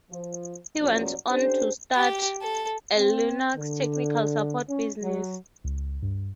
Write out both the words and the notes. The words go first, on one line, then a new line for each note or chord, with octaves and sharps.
He went on to start a Linux technical support business.
F3
E2 A#2 F3 F#3 C#4 D5
C#4 D4 G4 A4 C5
G4
A4
C4
D3
C#4
F#3
C#2
G2